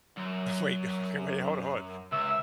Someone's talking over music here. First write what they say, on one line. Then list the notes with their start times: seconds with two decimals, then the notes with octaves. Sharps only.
Wait. Okay, wait, hold on hold on,
0.18 F#2
2.12 C#2 E5